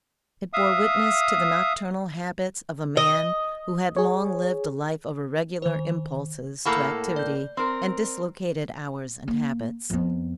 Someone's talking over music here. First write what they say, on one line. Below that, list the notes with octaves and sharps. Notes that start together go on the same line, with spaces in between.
It bore witness to the nocturnal habits of a man who had long lived a life of irregular impulses to activity and dislocated hours and habits.
E5 F5 D#6
D#5
G#4 C#5
D#3 C5
A2 A#3 A4 F#5 A5 B5
D5 G6
C4 A#4
A#3
F2 B3